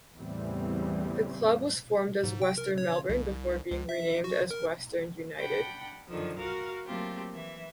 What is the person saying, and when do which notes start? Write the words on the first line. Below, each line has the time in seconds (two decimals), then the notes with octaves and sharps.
The club was formed as Western Melbourne before being renamed as Western United.
0.16 E2 A2 C#3 E3 G3 C4
2.24 G#2
2.42 G5
2.58 A#4
2.78 C#5
3.09 C2
3.71 C#2
3.89 E5
4.24 F#4
4.51 A#4
5.40 D4 F#5 G5 B5
6.08 F#2 D3 D#3 F3
6.39 F#4 A#4 F5
6.85 F#3 A3 A#3 C4 F4 G4
7.33 E3 E5